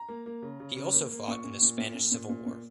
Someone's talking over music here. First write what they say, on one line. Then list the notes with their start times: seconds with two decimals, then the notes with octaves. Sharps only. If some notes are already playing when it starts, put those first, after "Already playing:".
He also fought in the Spanish Civil War.
Already playing: A#5
0.08 A#3
0.26 A#3
0.42 C#3
0.60 C#3
0.77 C#3
0.94 A#3
1.11 A#3
1.27 A#2 C#6
1.45 A#2
1.62 A#2
1.78 A#2
1.95 A#2
2.12 A#2
2.29 A#2
2.46 A#2